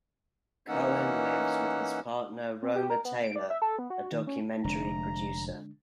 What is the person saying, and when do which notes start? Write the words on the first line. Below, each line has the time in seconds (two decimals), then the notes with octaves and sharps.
Cohen lives with his partner Roma Taylor, a documentary producer.
0.68 E3 A#3 C#4 D#4 F#5 E6
2.63 C4
2.76 G4
2.90 A#4
3.05 B3
3.24 D7
3.36 D5
3.50 E5
3.62 A4
3.79 B3
3.90 F#4
4.12 D#3
4.27 C#4
4.64 F1 D3 G#3 D4 A#5